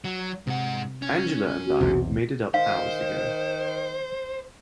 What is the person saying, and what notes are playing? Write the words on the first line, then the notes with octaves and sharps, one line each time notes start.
Angela and I made it up hours ago.
F#3
G#2 C3 F#5
C#4
F#4
B1 E2 C3
D#3 C5 F5